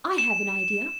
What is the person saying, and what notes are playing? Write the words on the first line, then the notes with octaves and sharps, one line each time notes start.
I have an idea.
E7